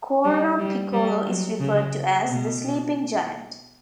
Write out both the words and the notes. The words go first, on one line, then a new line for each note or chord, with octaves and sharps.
Corno Piccolo is referred to as, "The Sleeping Giant".
G3
G3
G3
F#3
C#3
B2